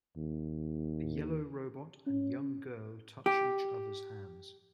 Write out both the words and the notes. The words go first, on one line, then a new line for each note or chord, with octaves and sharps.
A yellow robot and young girl touch each other 's hands.
D#2
C#4
G4